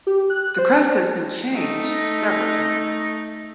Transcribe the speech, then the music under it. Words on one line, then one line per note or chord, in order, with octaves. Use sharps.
The crest has been changed several times.
G4
F#6
C5
A3 D#4